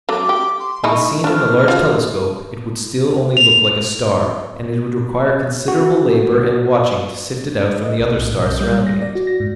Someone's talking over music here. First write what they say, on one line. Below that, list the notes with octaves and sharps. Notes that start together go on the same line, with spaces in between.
When seen in a large telescope it would still only look like a star, and it would require considerable labour and watching to sift it out from the other stars surrounding it.
F#3 A3 D6
G4
C6
G#3 D#4 E4 C#6
A3 D4 F6
F4 F#4
F7
F#4
D#5
B1
A2
B1
G6
G3
A#6
D5
F#4
A#6
G#2